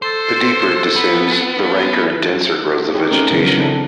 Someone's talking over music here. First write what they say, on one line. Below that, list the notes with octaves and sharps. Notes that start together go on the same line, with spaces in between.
The deeper it descends, the ranker and denser grows the vegetation.
A4 C5
B3
D#4 G4 G#4 C#5
A3 C4 C#4 D#4 G4 A#4
C#3 E3 F#3 B3 A#4
F#3 C#4
C#3 F#3 C4 D4 E4 A4